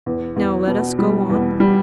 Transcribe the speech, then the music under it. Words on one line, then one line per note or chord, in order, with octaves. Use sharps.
Now let us go on ...
E2
E2
B2
G3
E2
G3